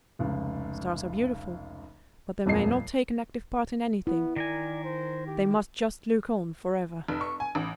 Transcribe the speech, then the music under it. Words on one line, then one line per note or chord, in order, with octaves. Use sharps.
Stars are beautiful, but they may not take an active part in anything, they must just look on for ever.
F1 C#2
D#1 F2 A#2 D#5 C7
B3 E4
D#3 A#4 D5 G#5
C5
G4
F1
C#6
G#5
A1